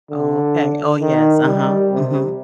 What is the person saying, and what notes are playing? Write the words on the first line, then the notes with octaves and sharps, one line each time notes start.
Oh okay oh, yes, uh-huh, mhm.
D3
D#3
G3
C3